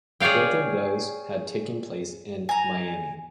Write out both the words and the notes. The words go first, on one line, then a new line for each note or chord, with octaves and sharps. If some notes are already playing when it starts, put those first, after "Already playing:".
Both of those had taken place in Miami.
G#4 C#5 D5 F5 G5
G#5 A#5